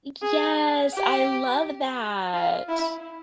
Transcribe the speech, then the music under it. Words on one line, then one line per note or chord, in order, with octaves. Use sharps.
Ec yes, I love that.
G#4
G4
F4
E4